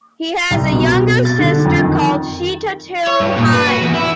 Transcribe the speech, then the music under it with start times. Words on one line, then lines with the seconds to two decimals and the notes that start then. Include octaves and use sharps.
He has a younger sister called Shita-Teru-Hime.
0.51 C2
0.72 B2
1.25 A6
1.39 D3
1.65 F2
1.79 D#3
3.07 C#5
3.20 G2
3.37 A#2
3.53 B4
3.67 F#4
3.81 E2
3.94 E4